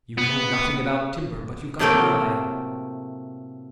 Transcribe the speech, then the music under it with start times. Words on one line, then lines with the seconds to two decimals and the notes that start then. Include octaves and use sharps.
You know nothing about timber, but you've got an eye.
0.18 B3
1.79 A2 C3 F#3 A3 A#3 G5